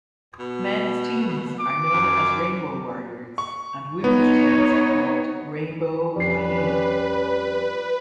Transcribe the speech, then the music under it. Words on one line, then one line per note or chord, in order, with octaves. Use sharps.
Men's teams are known as Rainbow Warriors, and women's teams are called Rainbow Wahine.
B2
D6
F#2
C#6
B3 D#4 C#5
F2 G3 C#4 B4 C7